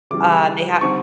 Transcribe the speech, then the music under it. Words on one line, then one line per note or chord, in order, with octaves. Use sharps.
U uh, they ha
C#3 E3 G3 D6
D3 G3 C4 D#4 C#6